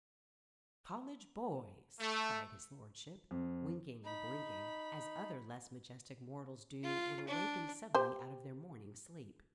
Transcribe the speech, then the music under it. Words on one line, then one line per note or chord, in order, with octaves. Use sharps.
"College boys!" cried his lordship, winking and blinking, as other less majestic mortals do when awakened suddenly out of their morning sleep.
A3
F2
D#4 B5
F4
D4
G4 C5